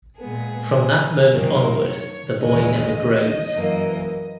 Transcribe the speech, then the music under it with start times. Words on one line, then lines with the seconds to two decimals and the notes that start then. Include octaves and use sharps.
From that moment onward, the boy never grows.
0.20 A#2 G#3 B3 G#4
1.32 F#2 D#3 A#3 A#4
1.87 C#5
2.43 D#2 C#3 E3 G#3 D#5
3.55 F#2 E3 A#3